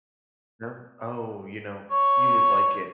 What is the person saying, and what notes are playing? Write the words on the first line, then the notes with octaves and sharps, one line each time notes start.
No? Oh, you know, you would like it.
C#5